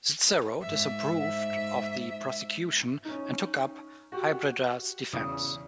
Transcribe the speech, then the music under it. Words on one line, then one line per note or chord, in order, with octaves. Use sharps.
Cicero disapproved of the prosecution and took up Hybrida's defense.
G#2 E5
C#4 D#4
F#4 G4
E2 C#3 E3 D#6